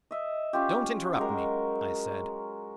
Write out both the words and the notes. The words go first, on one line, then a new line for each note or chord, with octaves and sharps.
"Don't interrupt me," I said.
D#5 E5
C#4 F4 G4
F#3 G#3 A#4